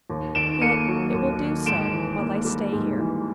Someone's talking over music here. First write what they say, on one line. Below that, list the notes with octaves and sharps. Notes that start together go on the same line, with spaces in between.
Yet it will do so, while I stay here.
D#2
D#3 D7 E7
A#3 C#7 D#7
F#3
D#2
D#3
G#2 D7 E7
E3
A#3
G3
G#2
E3